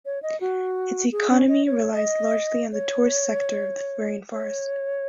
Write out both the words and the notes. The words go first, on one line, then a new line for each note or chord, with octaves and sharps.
Its economy relies largely on the tourist sector of the rain forest.
C#5
D#5
F#4
G#4
C#4
D#5
C#5
D#5
C#5
C#5